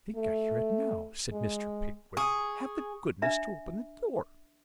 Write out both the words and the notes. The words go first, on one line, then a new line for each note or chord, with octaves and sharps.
'I think I hear it now,' said Mr. Pickwick. 'Have the goodness to open the door.'
A3
G#3
G#4 C#6 D#6
D4 E5 A#5